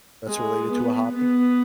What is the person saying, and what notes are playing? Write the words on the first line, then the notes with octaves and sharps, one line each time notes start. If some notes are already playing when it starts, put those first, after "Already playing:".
that's related to a hobby?
G#3
B3
B3